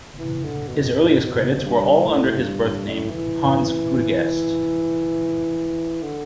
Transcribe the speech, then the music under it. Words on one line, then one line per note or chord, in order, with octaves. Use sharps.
His earliest credits were all under his birth name, Hans Gudegast.
E3
D3
B2
G2
A2
G2
G2
A2
E3
D3